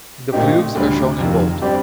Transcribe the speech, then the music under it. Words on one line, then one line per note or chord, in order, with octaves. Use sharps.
The "fleuves" are shown in bold.
A#2 A3 C4 D#4 G4
D2 D3 G3 D4
F2 C3 D#3
D3 G3 C4 G4 D5